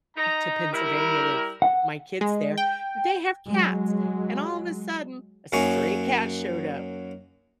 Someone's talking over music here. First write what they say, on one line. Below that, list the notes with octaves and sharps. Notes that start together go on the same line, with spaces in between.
eh, to Pennsylvania with my kids there, they have cats, and all of the sudden, a stray cat showed up,
D#4 A#5
G3 E4 A#4
F#5
G#3
G5
F#3 G#3
F#2 F#3 A#3 D#4 G#5 C#6